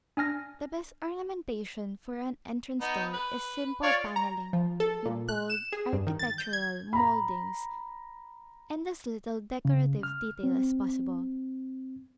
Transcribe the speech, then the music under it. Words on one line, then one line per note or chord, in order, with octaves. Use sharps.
The best ornamentation for an entrance-door is simple panelling, with bold architectural mouldings and as little decorative detail as possible.
D4 G#5 F6 A#6
B3 D#4
B4
F4 C#5 D5
A#5
F3
A4
A#2
F#6
E7
G#4
G2
D#3
A6
G6
G#6
A#5 B5
C#3
F6
C4